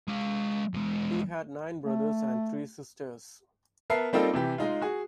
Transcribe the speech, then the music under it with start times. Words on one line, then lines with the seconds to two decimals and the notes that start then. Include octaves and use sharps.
He had nine brothers and three sisters.
0.08 G#3 F5
0.74 E2 G#3
1.85 A3
3.90 B3 A#4 E5 A5 C7
4.13 G3 A#3 C4 D#4 F4 A4
4.34 C3 E3 G4
4.58 G#3 D#4 F4
4.81 F#4 G#4